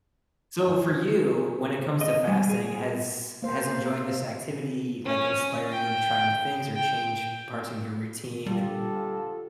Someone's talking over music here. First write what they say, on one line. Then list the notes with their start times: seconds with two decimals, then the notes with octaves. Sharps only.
So for you, when it comes to fasting, has has enjoying this activity, like, inspired you to try new things, or change parts of your routine?
2.01 D#5
2.28 G3
2.49 G#4
3.42 A#3 C5 F5
5.05 C#4
5.71 G5
6.75 G5
8.46 D3 G3 F4 G4 A4